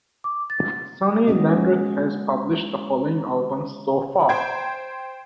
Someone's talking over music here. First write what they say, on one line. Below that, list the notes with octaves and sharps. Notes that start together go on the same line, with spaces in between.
Sonny Landreth has published the following albums so far.
D6
A6
G#3 A#3 B3 C#4 F#4 D#5
C5 G5 G#6